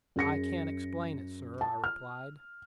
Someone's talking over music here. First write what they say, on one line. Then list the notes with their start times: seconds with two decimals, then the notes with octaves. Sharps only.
"I can't explain it, sir," I replied.
0.16 F#2 G#4 A#6 C#7
1.61 A5
1.84 F6